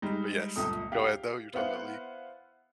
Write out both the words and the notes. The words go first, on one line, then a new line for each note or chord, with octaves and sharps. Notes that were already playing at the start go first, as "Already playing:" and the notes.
but yes, go ahead, though. You're talking about League.
G3 G#3 D#4
G1 C#2 A#2 A4 G5 D#6
G4 F5
B3 E4 C5 F5 F#5